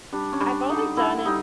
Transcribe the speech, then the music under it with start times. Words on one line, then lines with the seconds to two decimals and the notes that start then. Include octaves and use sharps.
I've only done it
0.13 G3 D4
0.33 C#4
0.41 G3 D4
0.69 D3 D#4
0.97 D3 E4
1.25 G3 D#4